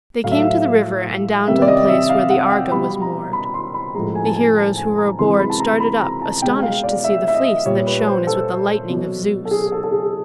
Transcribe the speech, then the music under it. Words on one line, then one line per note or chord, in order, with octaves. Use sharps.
They came to the river and down to the place where the Argo was moored. The heroes who were aboard started up, astonished to see the Fleece that shone as with the lightning of Zeus.
A2 F#3 F5
E5
F5
C3 D#3 G3 E5
D5
D#5
E5
F5
F#5
G5
B2 G3 B5
A#5
B5
B5
C6
B5
A2 F3 G#3 A#5
G#5
A5
G#5
A5
G#5
A#5
C3 E3 G#3 C6
B5
A5
A#5
B5
A#5
A5
B2 G#3 G5
F5
D5
E5
E5
D#5
A#2 G3 C#5
B4
C5
A4
B2 F#3
A4
G#4
A4
A4
G#4